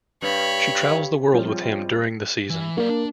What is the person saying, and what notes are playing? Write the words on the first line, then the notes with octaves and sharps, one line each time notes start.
She travels the world with him during the season.
G2 C#5 B5
F3 G3 G#3 C4 C#4 F4
E3
F#3 A#3 D5
D4